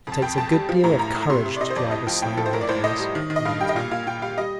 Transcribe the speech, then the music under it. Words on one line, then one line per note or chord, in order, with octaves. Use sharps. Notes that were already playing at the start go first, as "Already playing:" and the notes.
"It takes a good deal of courage to drive a sleigh nowadays," he went on.
F2
A5
F2 G5
F2 A5
G3
F3
A2 A#5
A2 A#5
A2
A#5
C3 C6
C3
D5
C3 D#5
C5
F2 D5
A2 D#5
F3 G5
A2 G5
F3 A4
C5
A2 A#4
D5
A2 C5
A2 D#5
G3
D#3
D#3
D#5
G2 F5
G3 G5
D#5
A#2 F5
A#2 F5
A#2 G5
G3 F5
G3 D#5